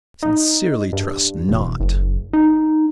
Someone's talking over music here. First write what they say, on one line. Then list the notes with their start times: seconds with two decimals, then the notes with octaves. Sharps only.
"I sincerely trust not."
0.23 D#4
0.93 G2
1.49 E1
1.80 F#1
2.33 D#4